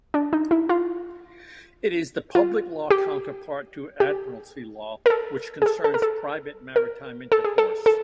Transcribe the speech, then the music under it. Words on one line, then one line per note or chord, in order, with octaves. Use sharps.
It is the public law counterpart to admiralty law, which concerns private maritime intercourse.
D4
D#4
E4
F4
F4
G4
G4
A#4
A4
G#4
A4
A4
A#4
A4
A#4
A4
G#4
A4
A4